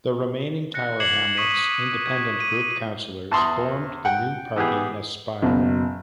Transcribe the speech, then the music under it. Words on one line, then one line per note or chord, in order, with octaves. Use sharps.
The remaining Tower Hamlets Independent Group councillors formed the new party Aspire.
F#6 A#6 C#7
D6 G#6 C7 C#7 E7 F#7
C#6 D#6 B6 D#7
G#6
D#7
E2 A5 C6 D#6
F#5 G5
E3 B3 G4 G#4
F#1 B2